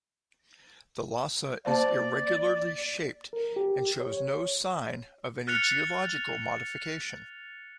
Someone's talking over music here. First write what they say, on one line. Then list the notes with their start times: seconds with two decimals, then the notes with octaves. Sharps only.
Thalassa is irregularly shaped and shows no sign of any geological modification.
1.65 A#3 C5 D5 F5
3.33 A#4
3.56 G4
4.00 C#5
5.47 F6 F#6 A6 C#7 F7